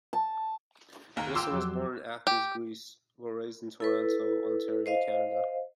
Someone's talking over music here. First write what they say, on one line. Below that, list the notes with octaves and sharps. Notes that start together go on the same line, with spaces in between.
Wilson was born in Athens, Greece, but raised in Toronto, Ontario, Canada.
A5
F#1 D#2 A#5
F4 G5 C6 D6 E6
F2 F#3 G4
G4
E4 A4 B4
C5 D#5 F5